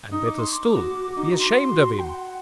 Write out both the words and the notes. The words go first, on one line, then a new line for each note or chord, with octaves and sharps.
And better still: be ashamed of him!
D#4 D#6
D6
C6
D6
F#4
F#4
F#4
D#4
F#4
A#5
C6
F#4
G5
F#5